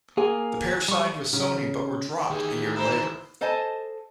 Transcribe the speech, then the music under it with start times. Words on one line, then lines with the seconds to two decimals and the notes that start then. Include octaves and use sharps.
The pair signed with Sony but were dropped a year later.
0.17 A#3 G#4 G#5
0.88 G3 C#6
1.33 C#3
2.30 D#3 E3 G4 G#4
2.76 E4 C5 A#5
3.41 A4 C5 D#5 G#5 A5